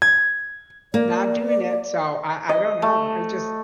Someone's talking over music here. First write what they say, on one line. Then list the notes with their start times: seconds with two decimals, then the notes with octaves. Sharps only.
not doing it, so, I I don't know, I just
0.02 G#6
0.94 A#3 D5
2.49 D#5
2.82 A3